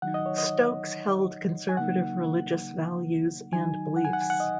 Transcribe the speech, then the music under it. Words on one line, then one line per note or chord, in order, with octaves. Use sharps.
Stokes held conservative religious values and beliefs.
D#3 F#3 D#4 F#5
D#5
C#5
D#5
G#5
C#3 F#3 A#3 D#4 F#5
D#3 F#3 D#4 G#5
F#5
G#5
F#5
G#5
F#5
D#5